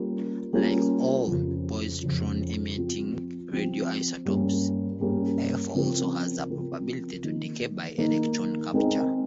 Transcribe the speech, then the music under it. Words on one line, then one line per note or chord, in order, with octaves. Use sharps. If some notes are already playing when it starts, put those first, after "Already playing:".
Like all positron-emitting radioisotopes, F also has a probability to decay by electron capture.
Already playing: G3 A#3 C#4 F4
G3 A#3 C#4 F4
F2 C#3 F3
F2 C#3 F3
F3 C4 F4
F3 C4 F4
G2 G3 A#3 C#4
G2 G3 A#3 C#4
C#3 F3 C4 F4 A#4
C#3 F3 C4 F4 A#4
D#3 A#3 D#4
D#3 A#3 D#4
G#3 C4 D#4 A#4